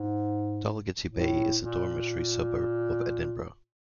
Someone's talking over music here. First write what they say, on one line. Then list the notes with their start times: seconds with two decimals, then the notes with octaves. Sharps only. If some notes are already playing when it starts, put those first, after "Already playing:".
Dalgety Bay is a dormitory suburb of Edinburgh.
Already playing: G#2
1.10 A2
1.59 A#2